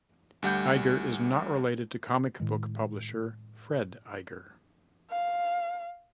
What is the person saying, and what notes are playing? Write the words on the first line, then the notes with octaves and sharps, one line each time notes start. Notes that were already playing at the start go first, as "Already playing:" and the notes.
Iger is not related to comic book publisher Fred Iger.
D2 G3 F#5 G6
A2 D#3 G#3
F5